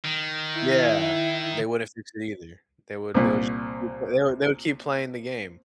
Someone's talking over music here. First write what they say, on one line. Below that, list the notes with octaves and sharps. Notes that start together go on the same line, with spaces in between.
Yeah, they wouldn't fix it either. They would they would just keep they would they would keep playing the game,
D#3
E4
C2 A#2